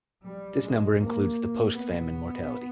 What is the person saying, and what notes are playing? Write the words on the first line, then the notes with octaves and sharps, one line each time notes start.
This number includes the post-famine mortality.
G3
G#3
A#3
B3